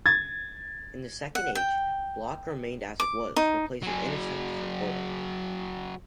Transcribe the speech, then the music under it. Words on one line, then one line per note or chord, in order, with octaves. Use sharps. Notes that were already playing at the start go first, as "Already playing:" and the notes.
In "Second Age", "block" remained as it was, replacing "intercept" from Portal.
G#6 A6
F#5
G5
D6
D#4
F#3 G#4